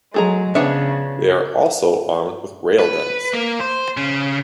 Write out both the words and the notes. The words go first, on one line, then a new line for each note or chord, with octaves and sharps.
They are also armed with railguns.
F#3 G#3 A3 G#4 A#5
C#3 F3 B3 D4 G#4 C#5 E5
B4
A#3
C5
C#3